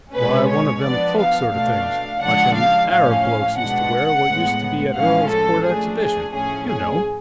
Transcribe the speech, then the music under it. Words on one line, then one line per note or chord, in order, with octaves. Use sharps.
'Why,--one of them cloak sort of things, like them Arab blokes used to wear what used to be at Earl's Court Exhibition,--you know!'
B2 G#3 C#4 B4
C#5
F3 B3 D4 D5
F5
B2 A3 D4 F5
C#3 F3 G#3 D4 F#5
F5
A2 F3 A3 C#4 F5
B2 G#3 D4 F#5
A2 G#3 B3
A2 F3 G#3 C#4 F5
A4
F3 A3 D4 G#4
G#4
A2 F3 A3 C#4 G#4
G#4